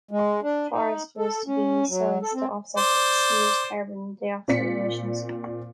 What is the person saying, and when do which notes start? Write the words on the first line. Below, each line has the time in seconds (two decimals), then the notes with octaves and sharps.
The forest was to be sized to offset the year's carbon dioxide emissions.
0.11 G#3
0.43 D4
0.71 D#4
1.18 A4
1.47 C#4
1.89 F#3
2.22 A4
2.34 C4
2.78 C5 D5
4.48 A#2 C4 D5 B6 C#7